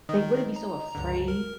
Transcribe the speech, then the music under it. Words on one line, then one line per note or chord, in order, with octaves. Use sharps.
they wouldn't be so afraid
D#3 D#4
A#5
C#2 G2 D3
A#4